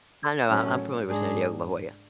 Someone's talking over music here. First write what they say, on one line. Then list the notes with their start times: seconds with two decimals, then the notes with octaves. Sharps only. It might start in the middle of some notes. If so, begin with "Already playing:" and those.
I know. I I'm familiar with San Diego, La Jolla.
0.47 A2 F#3 A3 C#4
1.07 G#2 G#3 D4 G#4